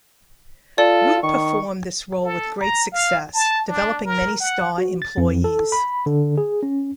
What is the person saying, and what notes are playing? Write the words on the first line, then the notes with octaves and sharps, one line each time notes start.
Root performed this role with great success, developing many star employees.
F4 A4 D5
D#3 C#6
A4
A#5
F5
A5
D4
A#4
F#5
F#4
A6
F2
A4
B5
D3
G#4
C#4